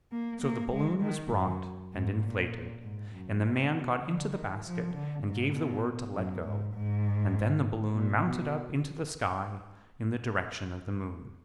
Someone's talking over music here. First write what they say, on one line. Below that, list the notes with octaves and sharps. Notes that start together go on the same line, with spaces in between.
So the balloon was brought and inflated, and the Man got into the basket and gave the word to let go, and then the balloon mounted up into the sky in the direction of the moon.
A#3
A#3
G#3
D#3
F#2
G#2
A#2
G#2
F#2
A#2
B2
D3
D#3
F3
D3
G#2
B2
F#2
G#2
G#2
A#2
B2